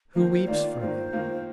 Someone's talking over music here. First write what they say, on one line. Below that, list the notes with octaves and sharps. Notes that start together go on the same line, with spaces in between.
Who weeps for them?
D#3 A#3 F4 C5
C5
D#3 A#3 F4 D5
D#3 A#3 F4 C5
D#3 A#3 F4